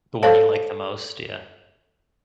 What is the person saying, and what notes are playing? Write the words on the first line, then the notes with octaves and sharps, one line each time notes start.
The one you like the most, yeah.
A4 C5 C#5 F5 A5